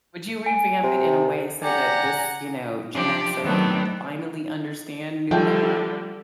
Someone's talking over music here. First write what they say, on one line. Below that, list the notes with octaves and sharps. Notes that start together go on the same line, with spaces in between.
Would you revamp it in a way so that this, you know, Gen Xer can finally understand new math?
G#5
C3
G4 D5 F#5 G#5 A#5
F3 D4 G4
D#3 F#3 A3 B3 C4 D4
D3 F3 G3 A3 G4 G5